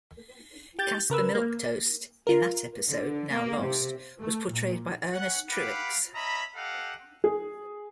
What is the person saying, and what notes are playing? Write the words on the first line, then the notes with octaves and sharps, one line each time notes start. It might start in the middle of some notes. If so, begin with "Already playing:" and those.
Caspar Milquetoast in that episode, now lost, was portrayed by Ernest Truex.
G4 G6 A6
C#3 A#4 B4 E6
A#3
F4 A#4
D3
A#3
C3
A3
A#2
C#4 F#5
G4 B4 F5 F#5 B5 D6
C#4 D#5 E5 A#5 B5
G4 A4 D#5 F5 F#5
G#4